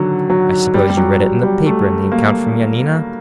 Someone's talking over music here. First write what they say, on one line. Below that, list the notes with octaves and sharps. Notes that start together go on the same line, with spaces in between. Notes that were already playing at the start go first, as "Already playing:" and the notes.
"I suppose you read it in the paper in the account from Yanina?"
Already playing: D3 D#3 F#3
F#3
G3
G3
F#3
G3
G3
A3
A#3